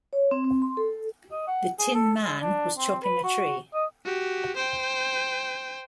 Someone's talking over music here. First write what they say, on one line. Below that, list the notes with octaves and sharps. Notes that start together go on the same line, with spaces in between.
The Tinman was chopping a tree.
C#5
C4
C4
C6
A4
D#5
F#5
G#4
A4
G#3
D4
C4
B4
F#4
D#5
F#4 G4
C5 G5